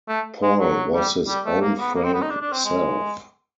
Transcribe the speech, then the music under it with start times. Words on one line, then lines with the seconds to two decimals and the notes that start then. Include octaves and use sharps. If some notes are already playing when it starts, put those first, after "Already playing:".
Paul was his own frank self.
0.09 A3
0.43 G#3
0.60 F#3
0.94 G3
1.28 G3
1.45 A3
1.62 A#3
1.79 B3
1.96 A#3
2.04 C4
2.14 B3
2.22 D#4
2.30 D4
2.41 D4
2.52 C4
2.65 G#3